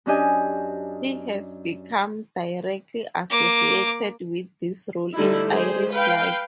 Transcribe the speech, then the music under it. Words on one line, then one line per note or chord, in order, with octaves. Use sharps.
He has become directly associated with this role in Irish life.
F#2 C#4 D4 G4 D#5 G#5
A#3 D6
D3 G3 A3 D#4 E4
G#3 G4 G#4 C5
B4 F5 G5